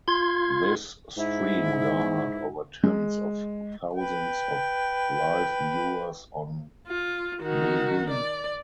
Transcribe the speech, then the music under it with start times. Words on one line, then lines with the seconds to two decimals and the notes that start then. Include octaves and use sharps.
This stream garnered over tens of thousands of live viewers on bilibili.
0.08 F4 C6 G#6
1.17 G#2 E4
2.84 G#3
3.93 B4 G5
6.87 F4
7.42 D#3 F#4
8.10 D5